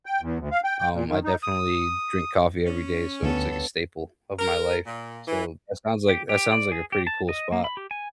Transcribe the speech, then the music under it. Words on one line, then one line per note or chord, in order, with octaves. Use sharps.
um, I definitely drink coffee every day, so it's like a staple of my life. So that sounds like that sounds like a pretty cool spot.
G5
E2
D2
F5
G5
G5
A#2
D#3
D#4
D#6
C#4
D2 G2 B3 A4 C#5
A#4
A#2
E3
G4
G4
D5
G#4
G4
A5
D#5
A#3
B5
G4
G#5